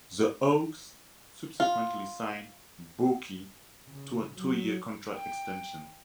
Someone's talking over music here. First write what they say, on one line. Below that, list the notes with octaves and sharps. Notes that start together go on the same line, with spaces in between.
The Hawks subsequently signed Bourque to a two-year contract extension.
F4
C#3
F#3
G5